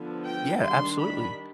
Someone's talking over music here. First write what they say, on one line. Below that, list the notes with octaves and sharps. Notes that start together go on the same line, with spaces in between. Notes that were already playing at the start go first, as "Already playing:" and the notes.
Yeah, absolutely.
Already playing: D3 F3 B3
G5
D#3 G3 D4 C6
B5